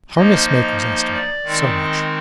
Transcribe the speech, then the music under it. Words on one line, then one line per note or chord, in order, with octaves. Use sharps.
Harness-maker's estimate, so much.
F3 A#3 D#4 D#5
D#5
D#5
D5
D#3 G#3 C4 D#4
D#5